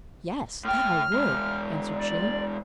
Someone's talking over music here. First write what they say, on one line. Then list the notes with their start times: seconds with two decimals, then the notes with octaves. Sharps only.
'Yes, that I would!' answered she.
0.65 A2 G5 F6
1.14 E3 G#3
1.96 D5